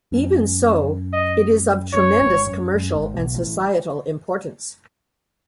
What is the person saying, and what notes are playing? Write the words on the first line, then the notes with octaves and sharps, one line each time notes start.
Even so, it is of tremendous commercial and societal importance.
F#2
D#5
F#2 C#5
G#1 G#2
F#2
F#2
G#1 G#2
B1 B2
A1 A2